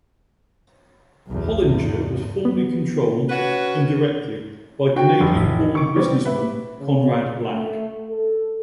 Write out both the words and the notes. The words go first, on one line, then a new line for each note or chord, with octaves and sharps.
Hollinger was formerly controlled, indirectly, by Canadian-born businessman Conrad Black.
B1 E2
E2 G#2
B3
C#4 F#4 B4
D3 F#4 G5
F1
A1 E3 E5
C#3 C#6 D6
G3 B3 C4
B4 E5
C#3
A3
A4